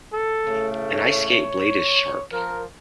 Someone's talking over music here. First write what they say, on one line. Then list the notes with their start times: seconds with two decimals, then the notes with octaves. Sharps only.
An ice skate blade is sharp.
0.13 A4
0.47 A2 C#3 A3
0.94 C#5
2.33 F3 A#4